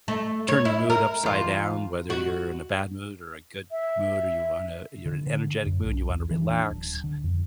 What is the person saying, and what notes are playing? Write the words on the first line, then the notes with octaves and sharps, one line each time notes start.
turn your mood upside down, whether you're in a bad mood or a good mood or you wanna you're in an energetic mood, and you wanna relax.
A3
C#5
E4
A#4
E2 F4
F#4
E5
D3
D3
F#2
B1
E2
E3
D4
D1
D3
F2